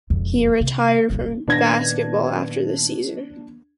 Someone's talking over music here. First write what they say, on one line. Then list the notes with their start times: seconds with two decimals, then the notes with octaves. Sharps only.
He retired from basketball after the season.
0.10 E1 F2
0.60 C3
1.10 D#1 B1
1.48 A#2 D#3 B3 D4 G#6 A#6